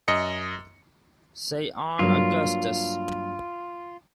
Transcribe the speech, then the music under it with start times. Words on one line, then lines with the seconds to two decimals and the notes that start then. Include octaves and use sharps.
Say on, Augustus.
0.08 F#2 D#5 C#7
1.99 G2 F#3 A#3 F4